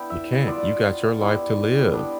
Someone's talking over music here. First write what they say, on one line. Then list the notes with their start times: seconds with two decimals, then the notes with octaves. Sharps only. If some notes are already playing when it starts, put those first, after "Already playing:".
You can't. You got your life to live.
Already playing: B3 D4 E4 G5
0.10 E5
0.47 B3 F4 D5
1.20 G3 B3 E4
1.93 G3 B3 D4